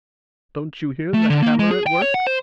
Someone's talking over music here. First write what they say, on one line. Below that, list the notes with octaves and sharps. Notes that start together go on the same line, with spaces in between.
Don't you hear the hammer at work?
A3
D3
A#3
G#3
G#4
G5
C#5
F#5
C5